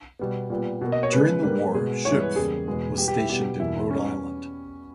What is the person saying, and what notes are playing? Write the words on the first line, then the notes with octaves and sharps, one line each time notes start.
During the war Schoepff was stationed in Rhode Island.
B2 G3 B3
A#2 G3 B3
B2 A#3
D#5
C#5
C#3 G#3 B3 B4
G#2 G3 A#3 B4
B2 G#3 B3 G#4
G2 E3 G#3 B3 C#5
B4
E2 C#3 G3 A#3 G#4
E2 B2 G#3 B3
B2 G3 B3 G4
G4
E4
B2 G3 B3 G4
E2 B2 A#3 E4
G3 B3 C#4